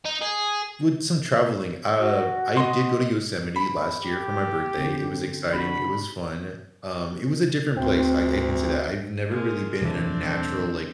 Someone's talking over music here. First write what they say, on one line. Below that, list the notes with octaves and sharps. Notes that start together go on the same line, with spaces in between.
With some traveling, uh, I did go to Yosemite last year for my birthday. It was exciting, it was fun. Um, it was a different place. I I can say that. I've never really been in a natural, like,
D#4
G#4
F#4
D#5 C6
B5
G4
D3 C4
D4 F#4 B5
D2 C4
G#3 A#3 F4
D#1 C3 E3 A3 C4 D4